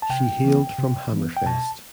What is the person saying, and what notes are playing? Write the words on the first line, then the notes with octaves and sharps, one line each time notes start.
She hailed from Hammerfest.
A5
C3 G5
E3 B3
C3
E3 B3
G5
B2 A5